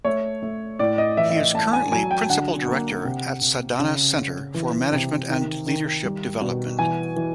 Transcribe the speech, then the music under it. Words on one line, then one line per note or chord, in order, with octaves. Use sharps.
He is currently Principal Director at Sadhana Center for Management and Leadership Development.
A3 C#5
A3
A2 D5
D#5
E3 E5
E5
D#5
A3 A5
G#5
F#3 G#5
G5
D3 F#5
A#3
C3
C3
C#3
C#3
E3
C3
D#3
D#3
G3
B2
E3 G#5
E3